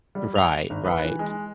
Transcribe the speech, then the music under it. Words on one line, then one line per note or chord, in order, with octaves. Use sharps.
Right, right.
G3
F7
G#1
B4
E3
G#3